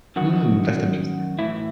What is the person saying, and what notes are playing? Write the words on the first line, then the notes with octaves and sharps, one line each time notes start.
Hmm, that's interesting.
F#2 D#3 F#4
A2 E3 E4